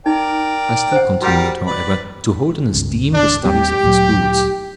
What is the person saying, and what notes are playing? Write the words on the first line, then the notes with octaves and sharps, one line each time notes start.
I still continued, however, to hold in esteem the studies of the schools.
D#4 A#4 D5 G5
C5 F#5
G3 F#4 G4 A#4 F#5
B4 D5 B5
G1 C#2
D4
D#2 G3 C4 G4
D2 A#2 F#3